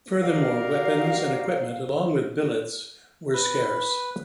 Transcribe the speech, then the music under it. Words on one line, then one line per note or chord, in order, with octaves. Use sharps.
Furthermore, weapons and equipment, along with billets, were scarce.
D#4 F#4 G4 A#4 D5 F5
B4